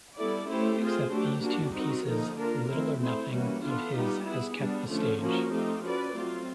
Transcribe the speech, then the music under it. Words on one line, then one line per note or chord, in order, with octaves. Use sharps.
Except these two pieces little or nothing of his has kept the stage.
G3 B3 E4 A4 D5
A3 C#4 E4 G4 C5
C4 F4 G#4 C5
F#3 A3 D4 G4
G3 A#3 D4 F#4
C4 D#4 F#4 A#4
D3 F3 A#3 D#4
A#3 D4 F4 A#4
F3 A3 C4 E4
A3 C4 E4 G#4 C5
E3 G3 A#3 C#4 F#4
B3 D4 F4 A4
G3 B3 D#4 G4
B3 E4 G#4
G3 B3 D4
D3 F3 A3 C#4
F3 A#3 C#4 F#4 A#4
F3 A3 C4 D#4 G4
C#4 F#4 B4 D5
F#3 A3 C4 F4